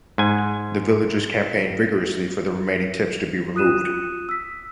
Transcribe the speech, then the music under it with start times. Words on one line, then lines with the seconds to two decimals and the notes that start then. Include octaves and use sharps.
The villagers campaigned vigorously for the remaining tips to be removed.
0.18 G#2 G#5
3.55 F4 D#6 F#6 D#7 E7
4.29 E6 B6